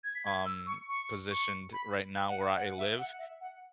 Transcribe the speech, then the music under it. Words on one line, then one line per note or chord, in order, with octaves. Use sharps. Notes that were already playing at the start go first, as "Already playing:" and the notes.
um, positioned right now where I a live
G#6
B6
G#6
E6
C#6
C#6
C#6
B5
F#5
F#5
E5
F#5
E5
F#5